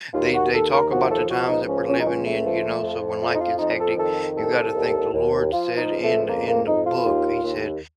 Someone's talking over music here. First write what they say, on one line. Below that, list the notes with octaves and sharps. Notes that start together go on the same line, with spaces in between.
They they talk about the times that we're living in, you know, so when life gets hectic, you gotta think the Lord said in in the book, he said
D#2 F4
F#4
D#2 A4
A#4
F3 F#4
A4
C#2 F#4
D#4
F3 C#4
C#4
D#4
C#2 C#4
A3
F3
F2
F3 A3
D#4
F4
F2 D#4
A4
D#3 A4
C2 A4
D#2
D#2
F3 F4
D#4
C#2
A3
F2 A#3
A#3
F2 D#4
F4
D#2
D#2